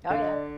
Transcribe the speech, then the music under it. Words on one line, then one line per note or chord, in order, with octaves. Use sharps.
Oh, yeah.
D3 F5
D#5
D5